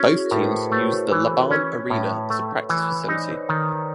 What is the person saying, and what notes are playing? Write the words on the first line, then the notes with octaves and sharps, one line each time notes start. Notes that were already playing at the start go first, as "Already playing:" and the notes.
Both teams use the LaBahn Arena as a practice facility.
Already playing: C#4 E4 F#4
F#4 G#4
A#4
A2 A4 B4
C5
B4 C#5
A3 B4 C#5
E3
C#4
A2
A3
E3
D#4 C5 D5
B4 C#5
D#3
D5
B4 C#5